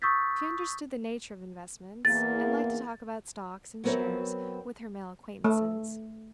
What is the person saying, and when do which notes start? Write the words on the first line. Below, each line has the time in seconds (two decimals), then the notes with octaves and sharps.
She understood the nature of investments, and liked to talk about stocks and shares with her male acquaintances.
0.02 C#6 D#6 E6 G6 A6 B6
2.05 E2 A#3 A6
3.84 F#3 B3 C4 A#4 C#5 E5
5.44 A3